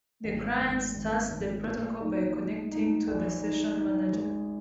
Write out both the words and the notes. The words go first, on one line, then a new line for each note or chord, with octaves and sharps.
The client starts the protocol by connecting to the session manager.
G#1
G#1
G#1
G#1
A#2
D#4
G#3
D#4
A#1
D#4
D#4
G#3